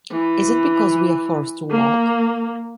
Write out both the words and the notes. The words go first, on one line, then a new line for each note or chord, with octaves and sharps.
Is it because we are forced to walk?
E3
A#3